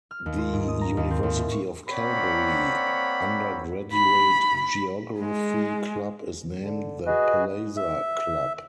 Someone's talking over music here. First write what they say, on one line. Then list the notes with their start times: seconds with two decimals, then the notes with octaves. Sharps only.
The University of Calgary undergraduate Geography club is named the Palliser Club.
0.11 F6
0.26 D#2
0.38 F4
0.53 G#2
0.68 D#6
0.81 A#5
0.97 D#2
1.11 C4
1.23 D#2
1.36 A2
1.51 C#6
1.90 A#3 C4 C#5 D5 F#5 B5
3.93 B5
5.19 G#3
6.62 D3
7.06 F#4 G#4 B4 D#5
7.77 E5